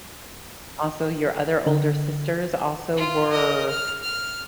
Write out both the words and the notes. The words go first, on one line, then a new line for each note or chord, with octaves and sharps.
also, your other older sisters also were
D3
F4
A#4 D#5
F6
F6